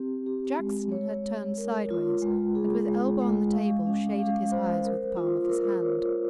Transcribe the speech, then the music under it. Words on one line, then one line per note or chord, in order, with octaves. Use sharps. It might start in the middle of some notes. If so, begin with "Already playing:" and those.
Jackson had turned sideways, and with elbow on the table shaded his eyes with the palm of his hand.
Already playing: C4 G4
G4
G#3
C#5
C#5
A#4
F4
G#3
G#4
G#3
G#3
F5
C#4
F5
C5
A#4
F4
A#4
C#5